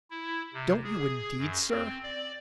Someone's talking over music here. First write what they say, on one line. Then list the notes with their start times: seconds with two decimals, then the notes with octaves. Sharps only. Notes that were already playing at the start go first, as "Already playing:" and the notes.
'Don't you, indeed, sir?'
0.10 E4
0.53 C3
0.84 G#4
1.37 F#2
1.69 C4
2.03 D5